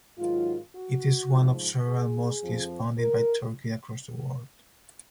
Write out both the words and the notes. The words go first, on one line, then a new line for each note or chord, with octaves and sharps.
It is one of several mosques funded by Turkey across the world.
G#2 D#3 F#3 F4
F#4
G#2 F3
G#4
F2 F3
A#4